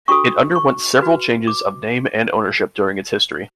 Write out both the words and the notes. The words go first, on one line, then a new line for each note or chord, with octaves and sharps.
It underwent several changes of name and ownership during its history.
D4 F#4 A4 C#6
C#6
F#4 B4
D6